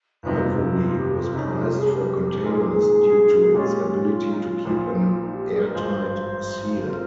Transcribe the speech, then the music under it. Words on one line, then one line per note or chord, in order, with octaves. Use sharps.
Ivory was prized for containers due to its ability to keep an airtight seal.
G1 F2 C3 D#4
D#4
D#4
F4
G4
F4
C2 C3 G3 C#4 D#4
F4
G#4
G4
C2 A#2 G#3 C4 D#4 A#4
G#4
G4
G#4
A#2 G#3 C#4 F4 G4
F4
D#4
F4
A#1 A#2 F3 F4
F4
D#4
F4
D#4
G4
G#4
A#4
G#1 G2 F3 G#3 C5
F3 C4 F4 A#4